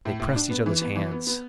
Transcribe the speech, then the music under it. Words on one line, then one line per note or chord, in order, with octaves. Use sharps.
They pressed each other's hands.
A2
A2
D4
B3
E3
B3
E3
B3
B3